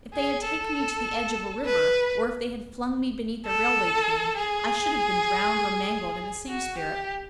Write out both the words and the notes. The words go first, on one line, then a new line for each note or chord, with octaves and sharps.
If they had taken me to the edge of a river, or if they had flung me beneath a railway train, I should have been drowned or mangled in the same spirit.
G#4
A4
B4
A4
G#4
F#4
G4